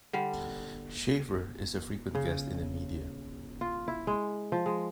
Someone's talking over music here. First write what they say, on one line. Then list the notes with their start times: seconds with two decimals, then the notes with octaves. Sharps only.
Shaffer is a frequent guest in the media.
0.13 D3 G3
2.15 C#3
3.61 F4
3.88 E4
4.07 G#3
4.52 F3
4.66 G#3